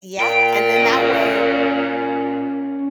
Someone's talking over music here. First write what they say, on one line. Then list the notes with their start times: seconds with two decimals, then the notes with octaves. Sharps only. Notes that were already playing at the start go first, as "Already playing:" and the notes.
Yeah, and then that way
0.20 A#2 G5
0.77 C#4 D#5